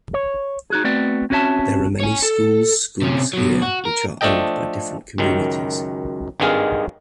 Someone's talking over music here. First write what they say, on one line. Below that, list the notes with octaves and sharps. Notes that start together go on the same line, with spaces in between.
There are many schools schools here which are owned by different communities.
C#5
D#4 F#4 G#4
A3 B3 C4 F#4 D5 G5
C4 C#4 F#4 C#5 E5 A5
C#5 G#5
A4
C3 C#4
B2 F#3
F#4
A#4
F3 A3 D4 A4 D#5 G5
C#2 F#2 D#3
G#1 G2 D#3 G#3 G#4 F5